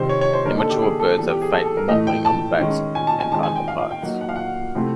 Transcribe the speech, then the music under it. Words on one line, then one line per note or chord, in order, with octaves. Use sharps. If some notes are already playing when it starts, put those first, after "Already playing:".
Immature birds have faint mottling on the back and underparts.
Already playing: C3 D#3 G3 C5
C#5
C#5
C5
D3 F3 A#3 D#4 A#4
A4
G4
G#4
A4
E3 G3 B3 A4
G4
G#4
A4
A4
A#4
A2 E3 A3 D#5
G5
A5
D#3 G#3 C#4
G#5
A5
G#5
D#3 G#3 C4 A5
G#5
G5
F5
F5
G5
F#3 A#3 D#4 F#5
F#5
F5
F#5
C3 F3 A3 C4 E4